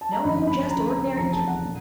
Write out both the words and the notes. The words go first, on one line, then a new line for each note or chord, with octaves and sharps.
"No; just ordinary kitten."
A5
A#5
G1 F#2 D3 F3 B5
B5
C#2 C#3 F3 A#5
A#5
F1 E2 C3 F3 A#5
A5
F#5
A#2